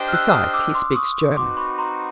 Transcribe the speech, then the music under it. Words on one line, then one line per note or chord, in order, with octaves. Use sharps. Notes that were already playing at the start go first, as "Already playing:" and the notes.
Besides, he speaks German.
Already playing: D4 G4 C5 D#5 G5
F6
E6 F#6
D#6 F6
D6 E6
C6 D6
C#6 D#6
C4 D#4 F#4 B4 C6 D6
B5 C#6
A#5 C6